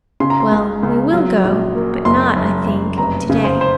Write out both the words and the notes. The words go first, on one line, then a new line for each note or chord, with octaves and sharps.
Well, we will go: but not, I think, to-day.
C#3 C6
A#5
C6
C#2
C#2
F#3
A#1
A#3
F#1 C6
F#1
F#1
F1 A#5
C#3
C5
C5